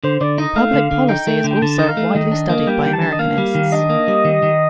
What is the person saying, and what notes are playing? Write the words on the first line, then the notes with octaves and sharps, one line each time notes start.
Public policy is also widely studied by Americanists.
D3 C5
D3 D5
D#4 D#5
A3 F5
D3
D3
D#4 G5
A3
D3
G5
D3 A5
D#4 D#5
F5
A3
D#3 D#5
D4
A#3
G3 G5
D#3
A5
D4
D#5
A#3 F5
G3
D#3
D4 D#5
A#3
G3
D#3
D#3